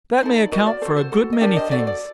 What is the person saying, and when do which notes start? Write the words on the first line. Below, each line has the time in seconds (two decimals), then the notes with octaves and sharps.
That may account for a good many things.
0.22 D#4 A4 C5
0.37 D5
0.51 F#4 A#4 C5 D#5
0.67 D5
0.82 F#4 A4 C5
0.97 C5
1.12 F#4 A4
1.33 D#5
1.41 D4 G4 A#4 D5
1.56 C5 D#5
1.71 F#4 A4 D5
1.79 C5
1.87 D5